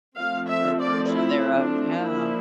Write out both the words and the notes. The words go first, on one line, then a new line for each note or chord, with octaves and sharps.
Or version thereof, yeah.
F3 A3 C4 F5
E5
D5
E4
D4
F3 A#3 D4 E4